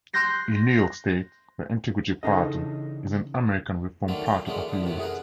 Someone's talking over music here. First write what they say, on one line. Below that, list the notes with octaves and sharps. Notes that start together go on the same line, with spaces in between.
In New York State, the Integrity Party is an American Reform Party affiliate.
C6 F#6 G6 A#6 C7
C#3 E3 D4 D#4 A4 D#5
D3 D#3 F#3 A3 A#3
B1 G5
A2 D3 E3 F#3 G#3 A#3
D3 E3
F#2 A2 C3 E3 F#3
G#4 A#4 F#5